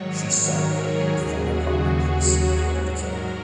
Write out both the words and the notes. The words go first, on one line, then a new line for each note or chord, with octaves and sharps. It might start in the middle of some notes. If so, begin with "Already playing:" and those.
She sought out her former partner Chris in order to kill him.
Already playing: G#2 D#3 F#3 C#5
A#4
G#4
D#2 C#3 F#3
F#4
G#4
G#2 F#3
A#4